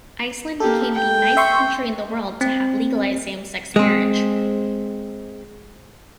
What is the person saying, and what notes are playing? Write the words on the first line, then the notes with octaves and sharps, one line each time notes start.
Iceland became the ninth country in the world to have legalized same-sex marriage.
A#3 G4 A4
G5
E5 C6 C#6
C4
G#3 C4